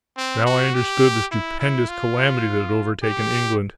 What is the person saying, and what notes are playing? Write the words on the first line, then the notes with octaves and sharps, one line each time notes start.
Now I understood the stupendous calamity that had overtaken England.
C4
F#4
G4
E4
E4
F4
G4